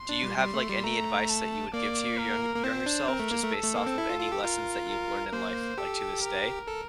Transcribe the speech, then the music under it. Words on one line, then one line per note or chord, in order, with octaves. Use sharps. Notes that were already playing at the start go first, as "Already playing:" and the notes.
do you have, like, any advice that you would give to your young younger self, just based off of any lessons that you've learned in life, like, to this day?
Already playing: C6
D4
G3
G3
A3
G3
A3 A#5
A5
A#3 D5
A#4
A#3
C4 C5
D4
C4 A#4
A3
A#3
A3
A4
A3
A#3
C4
E4
F4
F4
G4
F4 A#4
A#4
A#3 C5
G4 A4
A#4
A4